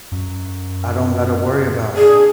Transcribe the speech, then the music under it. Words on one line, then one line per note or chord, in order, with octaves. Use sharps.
"I don't gotta worry about,"
F#2
D4 G#4